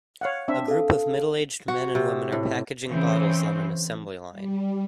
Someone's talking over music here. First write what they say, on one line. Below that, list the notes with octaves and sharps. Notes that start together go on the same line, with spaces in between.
A group of middleaged men and women are packaging bottles on an assembly line.
C#5 F5 F#5
C4 D4 E5
A4 F5
F#4
C3
A2
C#3 E3 C4
G3